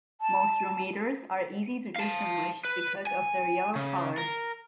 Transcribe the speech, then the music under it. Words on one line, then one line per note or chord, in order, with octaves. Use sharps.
Most Dromaders are easy to distinguish because of their yellow color.
A5
F5 A5
B4
G#5
C#3
A#4